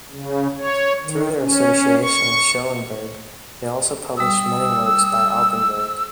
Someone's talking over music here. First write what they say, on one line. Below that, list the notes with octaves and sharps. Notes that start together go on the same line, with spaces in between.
Through their association with Schoenberg, they also published many works by Alban Berg.
C#3
C#5
D#3
C#4
C#6
G3 D#6 E6